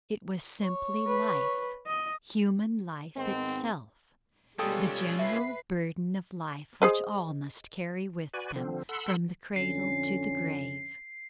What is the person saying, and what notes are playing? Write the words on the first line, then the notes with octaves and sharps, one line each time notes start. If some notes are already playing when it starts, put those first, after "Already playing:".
It was simply life, human life itself, the general burden of life which all must carry with them from the cradle to the grave.
C#5
B4
D#5
G#2 D#3 B3 C4
B2 G3 G#3 C#4 F4 A4 G5 D#6
B4 E5 C7
G#4 C5 D#5
F#4 B4 D5 G#5
D3 F3 C4
A4 F#5 B5 C6 E6
F2 D3 C#4 C7